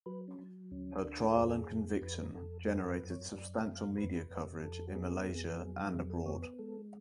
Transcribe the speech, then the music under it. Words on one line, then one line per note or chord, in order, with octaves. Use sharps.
Her trial and conviction generated substantial media coverage in Malaysia and abroad.
F#3 B4
C#4
F#3
D2 C#4
D2 D4
F2 G#4
A4
G#4
F2
F2 B4
F2 A4
F#2 G#4
B4
F#2
C#5
F#2 D5
F5
F#2
F5
F2 B4
F2
F2 A4
F#4
B3 G#4
F2 G#4
F#3
F2 G#4
A4
B3 C#5
B4
G#3 A4